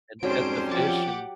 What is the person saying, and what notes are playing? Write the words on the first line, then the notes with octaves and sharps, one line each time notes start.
and pet the fish and
F2 G#2 F#3 G3 C#4 C5 D7
F3 G4 F#5 A5 D6